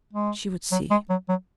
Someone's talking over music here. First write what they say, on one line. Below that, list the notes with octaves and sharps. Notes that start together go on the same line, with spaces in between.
She would see.
G#3
F#3
G#3
F#3
F#3